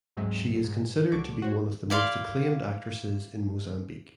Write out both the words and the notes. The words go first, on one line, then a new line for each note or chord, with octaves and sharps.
She is considered to be one of the most acclaimed actresses in Mozambique.
D2 G#2 F#3 G#3 C4 E5
G#2
C#2 D3 F#4 C#6 D6 D7
F#4 C5 C#5
E4 D5 F5 C6